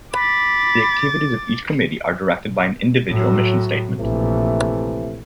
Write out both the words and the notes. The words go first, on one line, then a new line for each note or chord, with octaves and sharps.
The activities of each Committee are directed by an individual mission statement.
B5 D6 A6
A2 F#3
A#1 C3 E3 A3